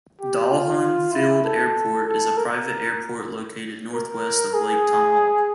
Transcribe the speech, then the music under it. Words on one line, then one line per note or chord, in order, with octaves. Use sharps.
Dolhun Field Airport is a private airport located northwest of Lake Tomahawk.
G4
F4
E4
A4
A4
A#4
A#4
G#4